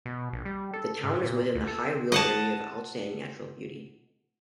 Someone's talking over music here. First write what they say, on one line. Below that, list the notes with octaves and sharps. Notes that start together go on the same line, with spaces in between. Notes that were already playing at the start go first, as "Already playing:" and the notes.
The town is within the High Weald Area of Outstanding Natural Beauty.
B2
A#1
G3
A4
G#2
A#2
D2
A4
C4
D#5 F#5 A5